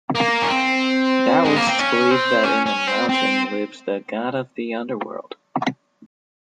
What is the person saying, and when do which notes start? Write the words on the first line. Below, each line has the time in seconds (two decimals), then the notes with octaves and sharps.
Daoists believed that in the mountain lives the god of the underworld.
0.15 A#3
0.42 C#4
0.48 C4
1.45 G#3
1.56 A#3
1.67 C4
1.79 C#4
2.11 C4
2.44 C#4
2.66 C#4
2.87 C4
3.09 C4